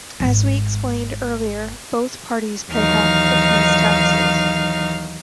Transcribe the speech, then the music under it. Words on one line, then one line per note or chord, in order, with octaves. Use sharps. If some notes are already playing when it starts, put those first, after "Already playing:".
As we explained earlier both parties pay half of these taxes.
D1 G#1
D#2 E3 F#3 D#4 F5 F6